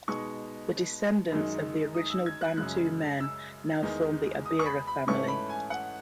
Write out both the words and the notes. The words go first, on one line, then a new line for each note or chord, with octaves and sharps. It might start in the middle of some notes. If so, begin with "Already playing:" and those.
The descendants of the original Bantu men now form the Abira family.
B2 G#3 D#4 C#6
F#2 D#3 G#3 D#4
D#6
E6
G#6
F#6
F#2 C#3 G#3 F#6
E6
E2 D#3 G#3 D#4
D#6
C#6
B5
B5
G#2 E3 A3 C#4 C#6
B5
G#5
F#5